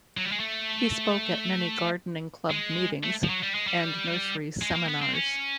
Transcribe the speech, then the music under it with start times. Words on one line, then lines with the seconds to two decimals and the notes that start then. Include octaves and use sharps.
He spoke at many gardening club meetings and nursery seminars.
0.17 F#3
0.25 G3
0.32 G#3
0.40 A3
2.50 G#3
3.03 A3
3.24 F3
3.29 F#3
3.43 G3
3.55 G#3
3.67 G3
4.62 G#3
4.75 A#3
4.88 B3
5.02 C4
5.15 C#4